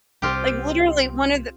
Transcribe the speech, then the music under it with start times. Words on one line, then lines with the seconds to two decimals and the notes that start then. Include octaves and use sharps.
Like, literally one of the
0.22 C2 C4 F4 G4